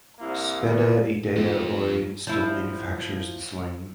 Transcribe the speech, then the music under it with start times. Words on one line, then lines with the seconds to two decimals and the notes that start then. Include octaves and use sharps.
Spede-Idea Oy still manufactures the sling.
0.19 C2 A#3 E4
0.63 E2 E3
1.36 F2 F3
2.27 F3 E4